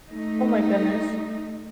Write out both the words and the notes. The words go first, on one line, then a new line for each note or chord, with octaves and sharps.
Oh, my goodness.
A3 D#4